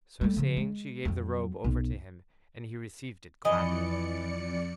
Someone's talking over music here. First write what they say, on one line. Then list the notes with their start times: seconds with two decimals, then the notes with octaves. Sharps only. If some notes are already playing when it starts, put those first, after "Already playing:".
So saying she gave the robe over to him and he received it gladly.
0.21 G3 A3
0.36 C#3 F3
0.57 G#3
1.05 F2 F#3
1.64 B1
3.45 F2 E3 D5 D#5 C#7